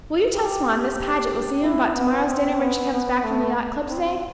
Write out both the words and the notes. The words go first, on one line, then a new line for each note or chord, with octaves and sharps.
Will you tell Swann Miss Paget will see him about to-morrow's dinner when she comes back from the yacht club to-day?
G4
G4
E4
B3
C4
B3
B3
A3
C4